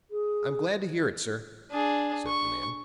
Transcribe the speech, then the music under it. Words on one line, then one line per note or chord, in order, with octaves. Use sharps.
"I'm glad to hear it, sir," said the man.
G#4
D4 G#4
C#6